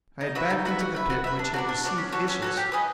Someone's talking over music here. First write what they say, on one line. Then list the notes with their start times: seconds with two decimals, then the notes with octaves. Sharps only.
I had backed into the pit which had received Issus.
0.21 D#4
0.35 F#4 B4 E5
0.50 D#4
0.65 F#4 B4 E5
0.80 F#4
0.94 B4 E5
1.10 F#4
1.24 B4 E5
1.39 D4
1.54 F#4 A4 D5
1.69 D4
1.83 F#4 A4 D5
1.98 C#4
2.12 F#4 A4 C#5
2.28 C#4
2.42 F#4 A4 C#5
2.57 G4
2.72 B4 D#5 G#5